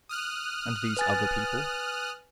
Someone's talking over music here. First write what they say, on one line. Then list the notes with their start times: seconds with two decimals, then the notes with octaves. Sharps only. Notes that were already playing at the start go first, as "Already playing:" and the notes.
"And these other people?"
0.09 D#6 F6 F#6
0.97 B4 G#5 A6